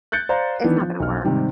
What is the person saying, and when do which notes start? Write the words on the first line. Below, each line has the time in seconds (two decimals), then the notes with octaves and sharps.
it's not gonna work.
0.12 F#6 G6 A6 C#7
0.29 C5 D5 F5 A#5
0.64 D#3 E3 B3 D4
0.81 F3
1.00 B1 F6
1.25 G#2 C3 D#3 G3